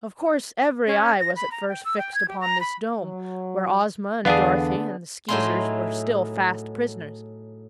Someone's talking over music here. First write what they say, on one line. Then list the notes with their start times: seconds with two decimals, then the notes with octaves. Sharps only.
Of course every eye was at first fixed upon this dome, where Ozma and Dorothy and the Skeezers were still fast prisoners.
0.86 C#4
1.19 A#6
1.36 B5
1.51 A#5
1.68 G5
1.84 E6
1.98 G5
2.14 G#6
2.28 G4
2.40 A#5
2.60 B5
3.01 F#3
4.25 E2 D3 B3 D4 G#4 F5
5.28 A2 F#3 D#4 E4 G#4 C6